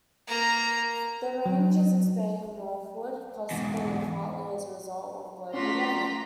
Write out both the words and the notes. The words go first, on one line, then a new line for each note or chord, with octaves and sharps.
Their range is expanding northward, possibly or partly as a result of global warming.
A#3 A#5
F#3
E2 G#2
A3 C#4 F4 F#4 D5 A#5 C6 B6